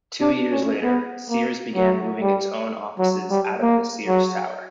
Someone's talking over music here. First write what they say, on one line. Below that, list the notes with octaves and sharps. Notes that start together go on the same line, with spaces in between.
Two years later, Sears began moving its own offices out of the Sears Tower.
D4
C#4
B3
A#3
F#3
G3
F#3
G3
A#3
F#3